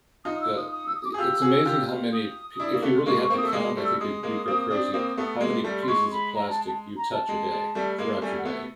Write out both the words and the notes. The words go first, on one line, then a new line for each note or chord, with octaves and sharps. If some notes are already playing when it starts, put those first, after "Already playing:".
uh, i it's amazing how many pe if you really had to count, I think you'd you'd go crazy, how many pieces of plastic you touch a day, throughout your day.
D#4 F4 D#6
E6
D#6
D#6
E6
D#6
D6
G#4 D#6
F4 G4 E6
F#4 G#4
F4 G4
D#6
D4 E4
A#3
A3 B3
C6
G#3 A#3 C#6
C#6
A#3 C4
D#6
A3 E6
G#3 A#3 D#6
G3 A3
E6
G#3 D#6
G#3 A#3
A#3 C4
C4 D4
A#3 C4
A3 B3
G#3 A#3
G3 A3
C6
G#3 C#6
B5
A#5
A5
A5
A#5
A5
G#3
G#3
G3 A3
G#3 A#3
G3 A3 G#5
F#5
A3 B3
E5